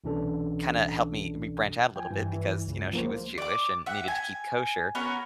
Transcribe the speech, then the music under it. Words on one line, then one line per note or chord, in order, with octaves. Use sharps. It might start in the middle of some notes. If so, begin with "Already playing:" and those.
kinda helped me me branch out a little bit because, you know, she was Jewish and needed to keep kosher.
C2 B2 E3 C#4 D4 A4
F3 G5 G#5
G2 E3
C#2
F3 A#3 C5
D5 D6
E5 F#5
G#5
B3 C#4 F#4 A#4